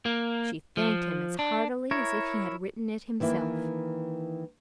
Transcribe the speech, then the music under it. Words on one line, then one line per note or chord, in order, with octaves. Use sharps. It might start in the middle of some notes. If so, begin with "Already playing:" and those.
She thanked him as heartily as if he had written it himself.
A#3
F3
D4
E4 A#4 C#5
D#3 E3 A#3 E4